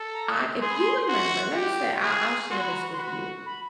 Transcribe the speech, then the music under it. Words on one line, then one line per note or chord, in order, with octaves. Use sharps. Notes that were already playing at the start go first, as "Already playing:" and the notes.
I if you remember let me say I I'll share this with you,
Already playing: A4
A#5
G#4 C6
B5
C6
F#4
G4
G#4
F#4 C6
B5
A#5
B5
C6
F#4 B5
B5